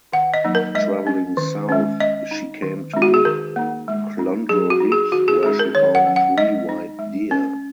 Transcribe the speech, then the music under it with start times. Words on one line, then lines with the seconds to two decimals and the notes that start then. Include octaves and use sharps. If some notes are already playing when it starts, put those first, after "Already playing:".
Travelling south, she came to Clondrohid where she found three white deer.
0.13 D#3 F#5
0.34 D#5
0.44 F#3 A#3 D#4
0.55 A#4
0.75 G#3 D#5
1.07 C#4
1.37 D#3
1.69 G#3 C#4
2.00 G#3 D#5
2.31 D#4
2.63 D#3
2.94 G#3 D#4
3.02 F#4
3.14 G#4
3.25 D#3 A#4
3.56 A#3 D#4
3.88 G#3
4.19 D#4
4.49 F#3 G#4
4.70 F#4
4.80 D#4
4.92 G#4
5.12 D#3 F#4
5.28 G#4
5.43 G#3 D#4 G#4
5.59 A#4
5.75 D#3 C#5
5.95 F#5
6.06 F#3 C#4
6.16 F#5
6.38 G#3 D#5
6.69 D#4
6.99 G#3
7.31 C#4